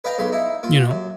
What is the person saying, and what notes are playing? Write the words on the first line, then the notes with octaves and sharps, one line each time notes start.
you know?
B4 D#5 F5 G5 A#5
B1 C#3 B5 C6
D#4 E4
A#3 F4
F#2